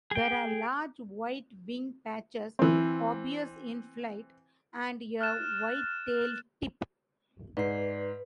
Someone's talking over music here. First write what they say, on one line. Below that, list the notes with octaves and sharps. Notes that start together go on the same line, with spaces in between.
There are large white wing patches obvious in flight, and a white tail tip.
G#4 G5
E3 C4
F6 F#6 A6 E7
G#2 B4 D5 C7